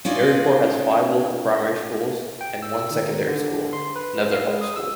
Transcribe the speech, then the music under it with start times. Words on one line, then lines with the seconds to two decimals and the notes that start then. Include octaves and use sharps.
Maryport has five local primary schools, and one secondary school, Netherhall School.
0.05 C#4 D#4 F4 D5
2.41 G5
2.62 E6
2.91 D#3
3.28 D3
3.73 C6
3.96 B4
4.32 F5
4.47 G#3
4.61 D#6
4.76 E6